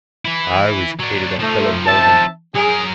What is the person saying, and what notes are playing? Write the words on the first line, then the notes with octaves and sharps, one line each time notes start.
I always hated that fellow Mohun.
E3 E4
F#3 D4
F3 A3 D#4
C4 E5 A5
F#3 G#4 A#4